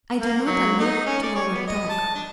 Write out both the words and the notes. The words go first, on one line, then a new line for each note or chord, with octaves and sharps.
"I do not allude to our talk."
A#3
F#3
D#4
C#4
D5
C#5
B3
D#5
A5
D4